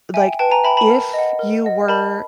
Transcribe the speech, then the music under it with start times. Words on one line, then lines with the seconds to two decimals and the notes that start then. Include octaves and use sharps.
like, if you were
0.14 E5 G5 G#5
0.39 B4 G5 A5
0.51 G#5 A#5
0.64 E5 G5 A5 B5
0.77 A5 B5
0.90 A#4
1.14 D#5 F#5
1.39 A#4
1.64 D#5 F#5
1.88 A#4 A5 B5